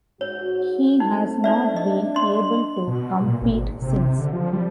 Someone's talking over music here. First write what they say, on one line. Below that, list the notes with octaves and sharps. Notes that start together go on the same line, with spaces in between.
He has not been able to compete since.
G#2 F#4 C#5
A3 C4 D#4
D#4 D5 E5
D4 D#5
D#5 C6
B2
A#2
G#1
C3
D3
F3
G3